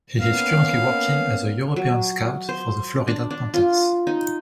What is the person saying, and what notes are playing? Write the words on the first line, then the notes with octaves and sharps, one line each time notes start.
He is currently working as a European scout for the Florida Panthers.
A#3 B3 C#4 F5
F#3
C5
D4
D4
F4
D#4